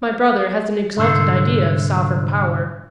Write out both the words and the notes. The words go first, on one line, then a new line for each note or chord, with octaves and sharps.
My brother has an exalted idea of sovereign power.
C2 G#2 D3 A4 C5